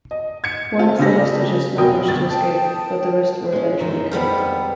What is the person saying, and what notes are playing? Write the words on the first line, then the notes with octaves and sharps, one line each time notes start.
One of the hostages managed to escape but the rest were eventually killed.
D#5
G#6 C#7
C4 F4 A5
C#3 A3 G4 A#6
F1 B2 A#4 G5 D#6
G1 A6
G5 A5 D#6
G#3 C#4
F#2 D#3
F2 F3 G3 G#3 B3